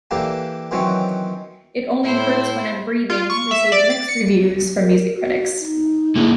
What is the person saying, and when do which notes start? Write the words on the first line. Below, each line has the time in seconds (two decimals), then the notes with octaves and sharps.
"It Only Hurts When I'm Breathing" received mixed reviews from music critics.
0.11 E3 A#3 D4 G4 A4
0.71 D#3 E3 F#3 C4 C#4
2.03 A2 E4 C5
3.10 F4
3.30 C#6
3.51 E5
3.72 D5
3.90 A6
4.09 C#7
4.80 A#4
5.16 F#4
5.60 D#4
6.16 D3 A#3 E4 G#4